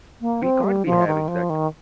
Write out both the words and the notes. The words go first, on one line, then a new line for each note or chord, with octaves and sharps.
We can't be having that!
A#3
C4
G3
F3
D#3
F3
D#3